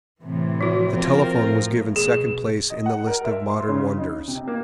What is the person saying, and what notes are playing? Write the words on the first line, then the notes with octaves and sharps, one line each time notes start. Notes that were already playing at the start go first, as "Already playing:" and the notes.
The telephone was given second place in the list of modern wonders.
A2 C3 E3
F3 F#4
C4 F4 A#4
A2
B2 G#4
D#5
F#5
A#4
E5
C6
C#3
D#4
C3
A#3